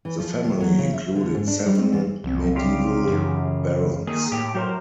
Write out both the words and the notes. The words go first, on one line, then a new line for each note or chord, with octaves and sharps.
The family included seven Medieval Barons.
E3
F3
D#2
F#3
C#3
E5
D3
G#2
D4
G3
C4
E2
C2 F3 C4
C#3 F4 G4
F#2 E3
D#3 A#3 G#4
A2 G4
F#3 F#4 G4 A#4 C5 C#5